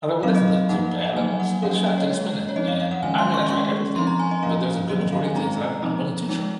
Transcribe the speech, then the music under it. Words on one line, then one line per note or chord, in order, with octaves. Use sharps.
I thought, well it doesn't look too bad. Like, well, let's give it a shot, take a spin at it, and I may not try everything, but there's a good majority of things that I'm I'm willing to try.
F#3 C4 D#4 F5
D#5
F3 A#3 D#4 F#5
F#3 A#3 D#4 G#5
F#5
F#3 A#3 C#4 F5
D#5
D#5
C#5
G#3 C#4
C#5
F3 C4 D#4 D#5
F5
F5
F#5
D#3 G#3 C#4 G#5
C6
C#6
C6
G#3 C#4 C#6
F3 C4 D#4 C6
A#5
G#5
D#5
F3 A#3 C#4 F5
D#3 F#3 C#4 D#5
D#5
F5
G#5
G#3 C4 D#4 A#5
F3 C4 D#4
G#3 D#4